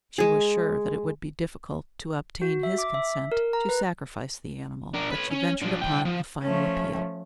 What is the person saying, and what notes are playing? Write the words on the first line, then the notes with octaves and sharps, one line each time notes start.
She was sure that it would be difficult to obtain his consent to sacrifice the animal, but she ventured upon a final appeal.
G#3 G#4
F#4
E5
D6
E5
A#4
A#5
B4
D4 A#4
B4 C#5
C#4
F3 D4
C2 G5
F3
F3 A3 C#4